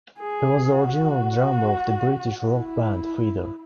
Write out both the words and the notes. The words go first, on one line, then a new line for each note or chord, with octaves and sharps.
He was the original drummer of the British rock band Feeder.
G#4
F#4
E4